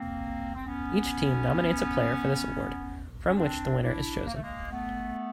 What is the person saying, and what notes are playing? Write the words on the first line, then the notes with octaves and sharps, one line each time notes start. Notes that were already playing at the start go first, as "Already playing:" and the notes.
Each team nominates a player for this award, from which the winner is chosen.
Already playing: A#3 C4
C4
B3 C#4
C#4
C4 D4
D4 E4
A#3
A3
G#3 A#3
A3 B3